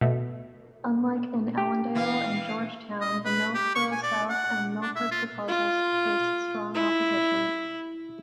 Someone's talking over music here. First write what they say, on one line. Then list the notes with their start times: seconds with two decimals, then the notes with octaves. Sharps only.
Unlike in Ellendale and Georgetown, the Millsboro-South and Milford proposals faced strong opposition.
0.01 B2 A3
1.58 G4
1.95 E3 F5
3.01 D#5
3.25 B4
3.55 G4
3.75 C#6
3.92 G#5
4.03 D5
4.30 F#5
4.82 D4
4.96 E5
5.12 F4
5.48 F4
6.75 E4